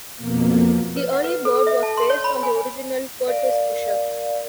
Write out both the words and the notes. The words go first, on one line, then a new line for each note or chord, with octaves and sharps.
The Early Bird was based on the original Curtiss Pusher.
F2 B2 A#3
B4
F#5
B4
A4
E5
A5
C6
C#5
B5
G#5
A#4 D5 F5